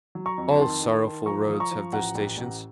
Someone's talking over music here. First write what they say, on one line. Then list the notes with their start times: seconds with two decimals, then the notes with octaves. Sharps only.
All sorrowful roads have their stations.
0.15 F#3
0.26 A#5 C#6
0.38 F2
0.60 D#3 A5 C6
0.82 D#3
1.04 D#3
1.26 F3 A#5 C#6
1.48 F3 D#6
1.60 A#5 C#6
1.71 F3
1.93 A1 F#5 A#5
2.15 A1
2.37 A1